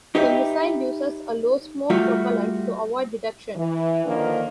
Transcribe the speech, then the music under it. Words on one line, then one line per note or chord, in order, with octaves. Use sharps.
The missile uses a low-smoke propellant to avoid detection.
D#4 G4 B4 E5
G3 A3 F4 F#4
E3
D3 D#3 F3 A#3 D4